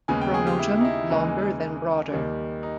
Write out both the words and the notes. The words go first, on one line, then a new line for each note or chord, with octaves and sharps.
Pronotum longer than broader.
D#2 C#3 G#3 B3 G#5
G5
G#4
G4
E4
D#4
E4
D#2 C#3 E3 G#3 D#4
D#2 D#3 G3
D#4